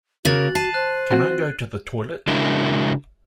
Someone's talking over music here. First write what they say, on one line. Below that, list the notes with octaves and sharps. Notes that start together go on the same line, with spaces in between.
Can I go to the toilet?
C#3 A#3 F#4 A#4 F#6 A6 F#7
A5 C7 D#7
C5 F#6
F3 C4 F#4 F#6
C#3 G#3 D4 E4 F#4 A#4